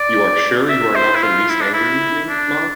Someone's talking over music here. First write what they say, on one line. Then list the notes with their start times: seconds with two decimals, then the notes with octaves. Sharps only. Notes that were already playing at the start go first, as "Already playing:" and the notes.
You are sure you are not the least angry with me, Ma?
Already playing: D5
0.69 E5
0.95 C5
1.15 E4
1.22 F4
1.49 E4
1.61 D4
1.74 E4
2.29 D4